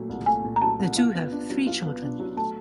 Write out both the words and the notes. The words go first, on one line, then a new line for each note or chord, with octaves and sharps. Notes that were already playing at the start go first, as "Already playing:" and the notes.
The two have three children.
Already playing: A#2 F#3 A3
C2
A3 G#5
A#2
A#5
F#3 A5
C2
F4
B3
D4
F#3
F4
B3
D4
F#3
A3 A5